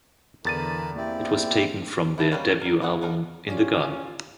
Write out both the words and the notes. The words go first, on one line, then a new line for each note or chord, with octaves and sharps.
It was taken from their debut album "In the Garden".
E2 D3 E3 A#4 A5 B5 A6 D#7
A#3 C4 E4 G4 D5
E4 G4 A4 B4
G3 A#3 C#4 B4 F5
G3 A#4
A#3 E4 G#4 C#5 F#5
F3 B3 D#4 A#4
C#4 F4 G4 D5